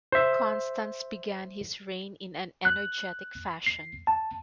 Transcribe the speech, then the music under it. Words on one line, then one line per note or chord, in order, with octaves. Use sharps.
Constans began his reign in an energetic fashion.
C5 E5
F#6
C7
A5